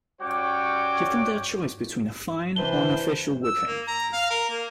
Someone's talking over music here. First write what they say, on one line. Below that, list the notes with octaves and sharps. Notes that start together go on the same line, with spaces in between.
Give them their choice between a fine or an official whipping.
G3 C#4 F#4 C#5 G5 D6
C3 E3 D4 B4 C5 G7
E6
A#3
A#5
F5
A#4
A#3